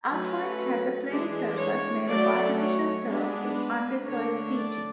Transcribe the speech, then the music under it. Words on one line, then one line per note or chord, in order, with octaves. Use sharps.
Alfheim has a playing surface made of artificial turf with under-soil heating.
F#3 A3 C#4 B4
E3 G#3 D4
C#5
F#3 A3 C#4 D5
C#5
G#3 B3 D4 B4
B4
D3 A3 D4 C#5
D5